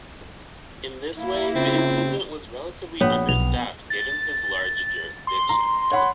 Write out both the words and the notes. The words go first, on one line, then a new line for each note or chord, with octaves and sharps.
In this way, the Intendant was relatively understaffed given his large jurisdiction.
A#3 E4 F5
C#3 C4 F4
A#1 B3 C#5
B1 F7
A6
C6
A#5
C#5 F#5 B5